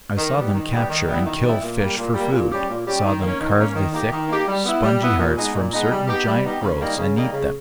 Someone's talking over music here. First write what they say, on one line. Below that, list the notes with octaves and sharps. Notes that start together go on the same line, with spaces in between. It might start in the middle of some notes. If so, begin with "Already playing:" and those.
I saw them capture and kill fish for food, saw them carve the thick, spongy hearts from certain giant growths and eat them.
D#3
G3 B3 G4
D#3
G3 B3 G4
D#3
G3 B3 E4
D#3
G3 B3 E4
A#2
G3 A#3
A#2
G3 A#3
A#2
G3 C#4 G4
A#2
G3 C#4 G4
D#3
A#3 C#4
D#3
A#3 C#4
D#3
A#3 D#4 G4
D#3
A#3 D#4 G4
G3
B3 E4
G3
B3 E4
A#2
G#3 B3 D#4
A#2
G#3 B3 D#4
G3
B3 D#4 G4
G3
B3 D#4 G4
C#3
G3 A#3 D#4
C#3
G3 A#3 D#4
C#3